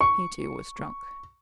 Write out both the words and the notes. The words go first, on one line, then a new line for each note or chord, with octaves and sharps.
He too was drunk.
C#6